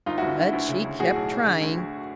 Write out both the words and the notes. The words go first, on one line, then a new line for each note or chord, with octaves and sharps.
But she kept trying.
G1 D#4 F4
E4 F#4
G1
D3 E4 F#4
D2
C#3
D2
A2 F#4 G#4
B1
B1
D3
D2
D2